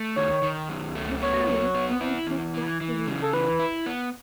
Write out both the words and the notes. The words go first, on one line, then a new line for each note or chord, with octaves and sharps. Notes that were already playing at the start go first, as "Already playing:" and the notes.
The series' only two-track release.
Already playing: A3
D#3 C#5
D#3
F#2
A3
B3 C#5
F#3
B3
E4
E2
E3
E3
C#3
A4
E3 B4
E4
B3